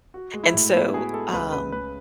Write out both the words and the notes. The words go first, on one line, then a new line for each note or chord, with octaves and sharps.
and so, um,
F#4
G#3
E4
A2
B3 E4
F#4 G#4
G#3 A4
C#2 B4
C#3 B4
C#2 B4